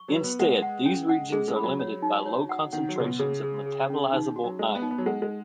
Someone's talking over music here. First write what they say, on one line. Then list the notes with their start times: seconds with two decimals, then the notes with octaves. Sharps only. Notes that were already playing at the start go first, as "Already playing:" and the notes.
Instead, these regions are limited by low concentrations of metabolizable iron.
Already playing: C#6
0.08 F#3
0.16 B4
0.24 B3
0.39 G#3 F#5
0.62 F#5
0.86 C#4
1.09 F#5
1.32 G#3 G#4
1.48 G#3
1.56 B5
1.64 F#3
1.79 C#5
2.02 D#4
2.26 C#5
2.49 F#5
2.73 D#3 F#5
2.89 F#3
2.96 C#3 F#4
3.04 B2
3.19 C#3 G#4
3.43 G#4
3.66 G#4
3.90 C#4
4.12 D#3 D#4
4.36 F#4
4.44 F#3
4.59 G#3 D#5
4.75 B3
4.82 D#4
4.91 B3
4.98 F#3
5.06 G#3 F#5
5.22 G#3